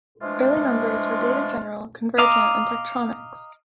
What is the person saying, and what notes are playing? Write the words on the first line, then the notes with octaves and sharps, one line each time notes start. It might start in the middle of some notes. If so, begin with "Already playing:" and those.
Early members were Data General, Convergent and Tektronics.
E3 F3 G#3 A3 D4 F4
D#5 F5 A#5 D6